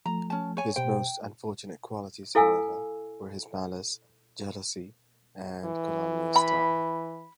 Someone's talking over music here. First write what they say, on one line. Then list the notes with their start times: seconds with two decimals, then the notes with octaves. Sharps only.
His most unfortunate qualities, however, were his malice, jealousy, and calumnious tongue.
0.06 F3 A3 A#5
0.30 C#4 A5
0.57 C#5 G#5
0.76 B2 G4 C5 G5
2.35 E4 A4 F5 G#5 E6
5.65 E3
6.36 B5